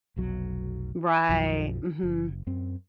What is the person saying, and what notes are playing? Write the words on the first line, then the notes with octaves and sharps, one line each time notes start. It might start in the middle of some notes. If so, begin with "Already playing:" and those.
Right, mhm.
F1 B1 F#3
B1 F#2 F3
F#1
F#2 C4